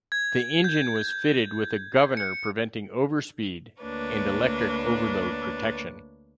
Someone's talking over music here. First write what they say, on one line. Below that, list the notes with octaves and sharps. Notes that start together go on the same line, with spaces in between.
The engine was fitted with a governor preventing overspeed, and electric overload protection.
G#6
G6
G#6
C#7
D2 A#3 D4 B4 C#5